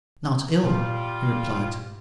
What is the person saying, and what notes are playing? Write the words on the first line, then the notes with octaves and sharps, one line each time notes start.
"Not ill," he replied.
A#2 G3 F4